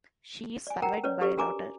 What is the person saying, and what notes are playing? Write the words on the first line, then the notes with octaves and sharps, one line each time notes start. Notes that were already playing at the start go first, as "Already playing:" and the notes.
She is survived by a daughter.
D5 G#5
A#4 F#5 G5 A#5
C#4 B4 C#5 D5
G4 A4 B4 D5
D4 F#4 A#4 G#5 A#5 D6